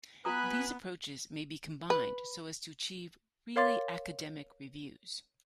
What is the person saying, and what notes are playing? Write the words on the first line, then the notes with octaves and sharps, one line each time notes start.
These approaches may be combined so as to achieve really academic reviews.
B3 F4 B4 G#5 A#5 B5 D#6 F#6
B4
A#4 C#5 F5 C6 D6 A6